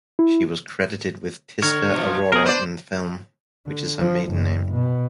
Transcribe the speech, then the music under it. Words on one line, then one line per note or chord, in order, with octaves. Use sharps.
She was credited with Tisca Arora in the film which is her maiden name.
E4
D3 C#5 F6
B2 F3
B2 B3 G#4 A#4
D4 B4 C5 D5
D3
F3
F#1
B2